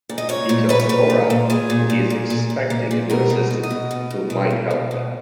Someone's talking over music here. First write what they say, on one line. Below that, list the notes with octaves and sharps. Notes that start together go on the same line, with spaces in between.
He tells Cora that he is expecting a new assistant who might help them.
A#2
D#5
A#2 C#5
A#2
A#2 B4
C#5
A#2 B4
A#2
A#2
A#2 G#4
A#2
A#2
A#2
A#2
A#2
A#2
A#2
B2 A#4
B2
B2
D#5
B2
B2
B2
B2
B2
B2
B2